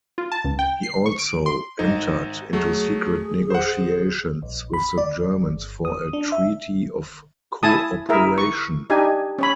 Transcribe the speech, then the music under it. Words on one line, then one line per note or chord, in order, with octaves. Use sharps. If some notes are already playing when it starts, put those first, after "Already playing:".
He also entered into secret negotiations with the Germans for a treaty of cooperation.
F4
A5
C#2
G5
C7
C#6
D7
C6
G#1 D#4
F#3 A3 G#4
C5 F#5
A#1
B5
D5
G1
D#6
D4
E5
E4 G#5 A5 D#6
E4 G#4 A#4 E5
C#6
D4 D#4 G4 G#5
C#4 C#5 B5